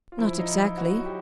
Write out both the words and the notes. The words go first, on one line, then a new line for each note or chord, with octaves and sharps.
"Not exactly."
F4
F3 E4
D#4
E4
F#3 F#4
G4